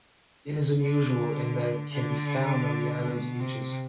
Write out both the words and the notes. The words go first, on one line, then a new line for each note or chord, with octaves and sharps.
It is unusual in that it can be found on the islands' beaches.
D3
D3
B2
C3